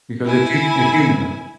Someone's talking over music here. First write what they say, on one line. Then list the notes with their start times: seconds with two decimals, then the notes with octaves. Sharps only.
because if you if you, uh
0.25 E4 G#5